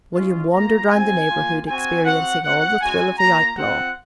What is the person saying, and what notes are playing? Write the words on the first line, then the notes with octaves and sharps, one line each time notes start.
William wandered round the neighbourhood experiencing all the thrill of the outlaw.
G#3 C#4 F4
A#3 F4 A#5
C4 F4 G#5
A#3 F4
C4 F#4 G#5
C4 F#4 F#5
C4 F#4 F#5
G#3 C#4 F#4 G#5
A#3 F4 A#5
C4 F4 F#5